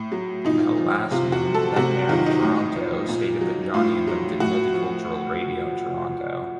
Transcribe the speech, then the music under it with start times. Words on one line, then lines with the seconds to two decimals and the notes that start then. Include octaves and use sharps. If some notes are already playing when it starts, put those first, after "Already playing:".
Mel Lastman, then mayor of Toronto, stated that "Johnny invented multicultural radio in Toronto".
Already playing: A2
0.12 F#3
0.45 A#2 D#4
0.77 F3
1.11 C3 F4
1.32 F#4
1.44 F3
1.54 A4
1.76 C3 F#4
2.09 D#3 F#3 F4
2.26 D#4
2.42 A2
2.76 F3
3.09 A#2
3.41 F#3
3.74 A2 F4
4.07 F#3
4.40 A2 F#4
4.73 F3